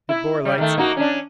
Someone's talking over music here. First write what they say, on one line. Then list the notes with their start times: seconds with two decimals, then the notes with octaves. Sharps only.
It bore lights now.
0.09 E4
0.45 G3
0.58 D#3 A3
0.77 A#3 D#4 F#4
0.97 C#4 D4